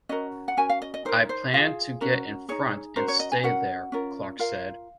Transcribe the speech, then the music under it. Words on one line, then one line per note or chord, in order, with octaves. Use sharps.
"I planned to get in front and stay there," Clark said.
C#4 F#4 A#4 D#5
F#5
C#4 F#4 A#4 G#5
F5
D#5
D#5
D#4 A#4 C5
C5
F4 G#4 F5
C#4 F#4 A#4
D#4 G#4 C#5
C#4 F#4 A#4 C5
C#5
D#5
G#5
C#4 F#4 A#4 F#5
C#4 F4 A#4
F4 A#4 F5